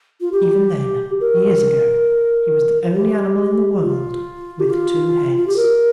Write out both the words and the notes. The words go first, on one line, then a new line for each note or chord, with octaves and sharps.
Even then, years ago, he was the only animal in the world with two heads.
F4
G4
A#4
G4
F4
G4
F4
F4
G4
A#4